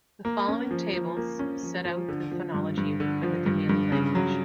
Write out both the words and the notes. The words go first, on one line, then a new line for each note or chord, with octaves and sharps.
The following tables set out the phonology of the Dameli Language.
A#3
C#4
F3
F3
A#3
C#4
F3
F3
D3
F3
G2
G2
D3
F3
G2
G2
C#3
F#3